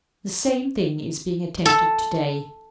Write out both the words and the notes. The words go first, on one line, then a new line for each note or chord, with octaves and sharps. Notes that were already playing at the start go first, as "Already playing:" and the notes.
The same thing is being attempted to-day.
A4